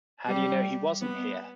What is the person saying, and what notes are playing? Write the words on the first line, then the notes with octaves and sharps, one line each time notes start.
How do you know he wasn't here?
G3
B3